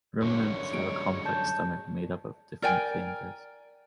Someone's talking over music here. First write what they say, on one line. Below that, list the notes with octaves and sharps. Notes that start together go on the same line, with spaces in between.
Ruminants have a complex stomach made up of different chambers.
G#1 F#2 D3 G3 C#5
F#3 G#3 D7
A5 G6
A#4 D5 G5 G#5